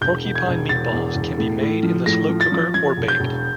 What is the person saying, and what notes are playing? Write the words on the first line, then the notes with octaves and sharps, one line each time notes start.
Porcupine meatballs can be made in the slow cooker or baked.
E1 G6
E1
G#6
E1
E1 A6
E2
E1
A2
A2
F3
A2 A#6
F3
A6
F3
F3 G#6
E1
G6
E1